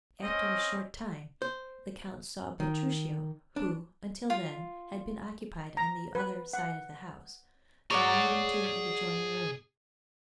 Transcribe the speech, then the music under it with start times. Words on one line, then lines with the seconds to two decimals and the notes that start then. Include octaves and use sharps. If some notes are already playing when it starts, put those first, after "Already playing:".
After a short time, the count saw Bertuccio, who, until then, had been occupied on the other side of the house, glide into an adjoining room.
0.22 C4 C#4 D#5
1.42 C5
2.60 D#3
3.56 D4
4.30 F4
5.77 A#5
6.15 B4
6.53 F#5
7.91 G#4 C#5 D5 F#5 A#5